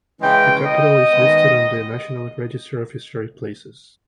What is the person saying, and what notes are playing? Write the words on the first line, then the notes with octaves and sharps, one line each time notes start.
The Capitol is listed on the National Register of Historic Places.
C#3 E3 G#3 C#4 G5
D#5
D#3 G#3 B3